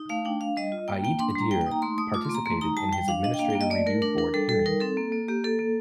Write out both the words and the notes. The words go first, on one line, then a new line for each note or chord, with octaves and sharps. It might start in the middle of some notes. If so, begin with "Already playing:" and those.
Ait Idir participated in his Administrative Review Board hearing.
Already playing: D#4
A3 F5
D4 G5
D4 F5
G3 D#5
F4
A#3 G5
A#3 G5
D4 C6
C6
G3 A#5
A#3 G5
G5
D#4
A#5
A3 C6
A3 D#6
F4 D6
C6
A#3
A#5
A3 C6
D#4 A#5
G3 A5
G3 G5
D4 F5
D4 D#5
G5
A#3 F5
G5
A#3
D#5
A3 D5
A3 A#4
D4 A#4
D4 A#4
G3 A4
G3 A4
D#4 A#4
C4 A4
A#3
A#3
A#3 G4
A#3 A4
A#3